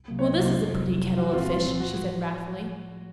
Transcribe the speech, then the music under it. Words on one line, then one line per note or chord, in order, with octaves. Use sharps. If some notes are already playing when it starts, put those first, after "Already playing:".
"Well, this is a pretty kettle of fish," she said wrathfully.
Already playing: C2
C3 F#3 A#3
C#5
C2 D#5
C3 F#3 A#3 C5
F2
C3 F#3
F2
C3 F#3
C2 F#4
A#2 F3 C4 F4
C2 F4
A#2 F3 C4
A2 F#4
F3